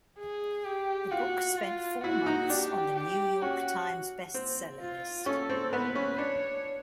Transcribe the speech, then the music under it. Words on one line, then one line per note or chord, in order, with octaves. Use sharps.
The book spent four months on the "New York Times" Best Seller List.
G#4
G4
F4 F#4
F4
E4 F#4
D#4
D4 G4
G4
C#4 F#4
C4
F4
C#4 A4
C4
B3 B4
C#4
D4 C#5